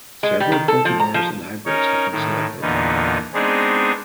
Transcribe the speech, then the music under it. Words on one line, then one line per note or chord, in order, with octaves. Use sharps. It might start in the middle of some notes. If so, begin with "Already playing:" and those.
Several cultivars and hybrids have been selected.
G#3
G3
D#3
A4
F3
A#5
F3
C#4 D#4 A#4 C#5
A2 D#3
E2 A#2 D3 B3 D#4
G#3 B3 C4 D4 D#4 G#4